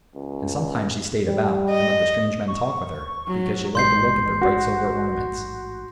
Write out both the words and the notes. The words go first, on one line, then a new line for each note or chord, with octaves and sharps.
And sometimes she stayed about and let the strange men talk with her, because she liked to look at their bright silver ornaments.
C#2
G3
D#5
C#6
F#3
A1 G#2 G#3 C6 G6 C7
F#4